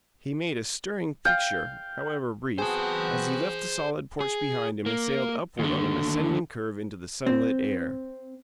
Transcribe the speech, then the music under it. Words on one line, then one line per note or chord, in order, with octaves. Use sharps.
He made a stirring picture, however brief, as he left the solid porch behind him and sailed upward on an ascending curve into the sunlit air.
F5 G5
B3 C4 F#4 G#4 C5 A5
G#4
A#3
D#2 D3
C4